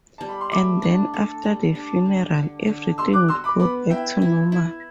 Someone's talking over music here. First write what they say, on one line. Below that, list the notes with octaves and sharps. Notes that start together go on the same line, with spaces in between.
And then after the funeral, everything would go back to normal.
G3 A5
B5
C6
A3 B5 D6
D4
A4
G3
D4
D3
D3
D3
G3 C6 E6
D6 F#6
F#4 C6 E6
B5 D6
B3 B5 D6
E4 E5 G5
E4
E4